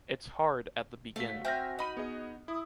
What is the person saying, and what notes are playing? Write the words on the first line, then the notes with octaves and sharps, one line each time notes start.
It’s hard at the beginning.
A3 F#4 F5 B6
C4 E5 G#5 F6 G6 A#6
D#4 D#5 B5 D#7
B3 G#4 D#5
E4 D#6 E6